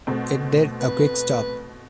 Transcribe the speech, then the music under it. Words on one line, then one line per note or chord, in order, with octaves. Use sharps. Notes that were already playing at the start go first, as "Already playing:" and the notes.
It did a quick stop.
B2 A3 C4
B4